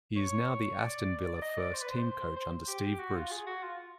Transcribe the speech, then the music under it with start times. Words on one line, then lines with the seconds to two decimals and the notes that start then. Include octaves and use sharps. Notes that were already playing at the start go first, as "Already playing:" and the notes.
He is now the Aston Villa first team coach under Steve Bruce.
0.16 C#5
0.79 D5
1.42 D#5
1.58 D5
1.74 C5
1.82 B4
1.89 C5
2.36 C5
2.68 G4
2.99 F#4
3.16 F4
3.31 G#4
3.47 F#4
3.63 F4